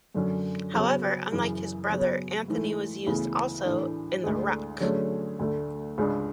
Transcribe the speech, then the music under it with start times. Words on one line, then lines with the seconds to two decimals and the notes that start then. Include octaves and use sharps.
However, unlike his brother, Anthony was used also in the ruck.
0.15 F#2 D3 F#3 C#4
0.74 C#3 F#3 B3 F#4
1.32 F#2 C#3 E3
1.90 C#3 F#3 B3
2.48 G#2 E3 A3
3.07 D2 C#3 E3 B3
3.64 A2 E3 A3 D4
4.23 D2 D3 G#3
4.80 D3 F#3 A3 C#4 G#4
5.39 D2 D3 A3
5.98 C#2 C#3 G#3 D4